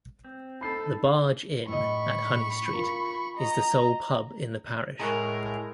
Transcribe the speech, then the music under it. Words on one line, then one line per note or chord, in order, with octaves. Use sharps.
The Barge Inn at Honeystreet is the sole pub in the parish.
C4
D#4 A4 B5 C7
A2 D#5 B5 C#6
F4 A#4
D#5 A#5
A2 G#3 G#4 A#4 A#5 C#6 F#6